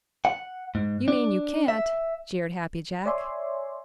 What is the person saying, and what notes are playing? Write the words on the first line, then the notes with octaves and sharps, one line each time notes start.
"You mean you can't!" jeered Happy Jack.
F#5
G#2
D4
E5
C#5 D5 E5 G#5 C6